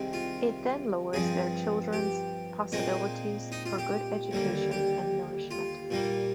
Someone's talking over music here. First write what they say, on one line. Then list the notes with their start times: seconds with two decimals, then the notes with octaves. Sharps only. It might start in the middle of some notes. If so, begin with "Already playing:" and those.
It then lowers their children's possibilities for good education and nourishment.
Already playing: C2 C3 D#3 G#3 C4
0.13 F4
1.13 G2 F3 C4 G#4
1.93 G4
2.72 A#2 G#3 C4 D#4
3.52 D#4
3.66 F4
3.78 G4
4.31 D#2 D3 G3 A#3
4.71 G4
5.51 F4
5.90 A#2 G3 A#3